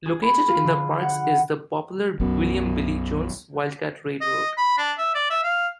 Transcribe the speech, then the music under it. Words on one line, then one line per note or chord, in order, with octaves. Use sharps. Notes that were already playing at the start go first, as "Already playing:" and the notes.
Located in the parks is the popular William "Billy" Jones Wildcat Railroad.
G#4
B5
F4
D3
F#5
B1 F#2 B2
D#5
B5
D4
E5
D5
E5
F5